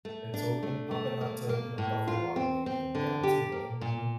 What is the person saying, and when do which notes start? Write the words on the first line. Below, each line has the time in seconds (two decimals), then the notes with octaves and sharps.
and so we've been popping out to, you know, Buffalo Wild Wings and grabbing some wings, and
0.05 A3
0.34 D4
0.63 A3
0.91 A3
1.21 A#3
1.49 A#3
1.78 A2
2.07 F4
2.36 C4
2.66 C4
2.95 D3
3.23 G4
3.52 A#3
3.81 A#2